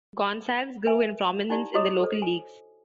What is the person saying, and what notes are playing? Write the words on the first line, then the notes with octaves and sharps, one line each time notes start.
Gonsalves grew in prominence in the local leagues.
B4 E5 G#5
C#4 D#4 E4 G4 D5
E4 F#4 C#5 D#5 D6 D#6
A4 C5
G#5